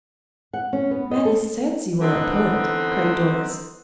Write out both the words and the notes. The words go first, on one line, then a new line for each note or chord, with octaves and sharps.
"Mattie says you are a poet!" cried Doris.
F#5
C#4
B3
D#5
A4
D3 E3 B3 C4 D#4 F#5